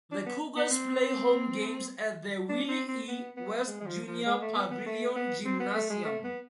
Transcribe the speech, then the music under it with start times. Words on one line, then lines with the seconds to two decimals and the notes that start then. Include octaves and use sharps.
The Cougars play home games at the Willie E. West Junior Pavillion Gymnasium.
0.12 D4
0.26 B3
0.56 B3
0.70 C4
2.49 D4
2.69 C4
2.88 C4
3.08 B3
3.37 B3
3.67 G#3
3.80 G#3
3.86 F3
4.07 F3
4.26 G#3
4.42 A3
4.55 B3
4.71 B3
4.86 A3
5.15 B3
5.45 C4
5.59 B3
5.75 A3
5.90 G#3
6.04 A3
6.24 B3